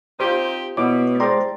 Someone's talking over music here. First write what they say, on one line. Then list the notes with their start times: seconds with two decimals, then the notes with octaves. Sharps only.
If you were
0.20 C4 D#4 F4 G4 C5
0.77 B2 B3 E4 C#5 D6
1.20 C5 D5 G5 A#5 C6